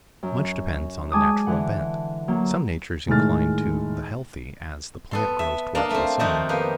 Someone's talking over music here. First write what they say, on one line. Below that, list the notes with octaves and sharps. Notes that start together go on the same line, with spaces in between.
Much depends on the natural bent; some natures incline to the healthy as the plant grows toward the sun.
F#2
G#3 G#5 A5 D6 D#6
D3 E3 F#5
F#3 A#3
A2 D#3 G#3 A3 F6 A6
B3 A4 C6
E5
A#3 D4 D#5
A3 C4
F2 D#3 D#4 F#4 D5 E5
A#3 B3 G4